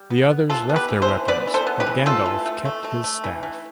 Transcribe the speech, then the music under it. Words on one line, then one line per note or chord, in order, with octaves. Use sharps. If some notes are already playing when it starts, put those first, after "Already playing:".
The others left their weapons, but Gandalf kept his staff.
Already playing: G3
B3
B3
E3 F4 A4
B3
G4 B4
E3
A4 C5
E3
B3 B4 D5
E3
A4 C5
B3
G4 B4
E3
A3 F4 A4
E3
A3
A3
A3
A3
E3
E3